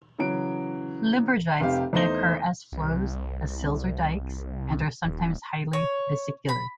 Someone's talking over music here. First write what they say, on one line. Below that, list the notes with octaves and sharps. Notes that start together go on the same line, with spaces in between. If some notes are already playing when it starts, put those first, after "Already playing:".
Limburgites may occur as flows, as sills or dykes, and are sometimes highly vesicular.
C#3 E3 F#3 D7
F1 C3 G4 F5
E2 A3 D#4 C5 A#6 G7
C2
D#1
C#5
B5